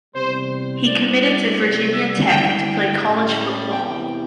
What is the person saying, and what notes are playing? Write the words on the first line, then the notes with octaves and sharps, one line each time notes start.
He committed to Virginia Tech to play college football.
E2 C3 G3 C5
G2 G3 C4 E4 D5
D5
C2 C3 G3
E5
G2 D3 G3 E4 G5
G5
A1 A2 G3
E2 C3 E3 G5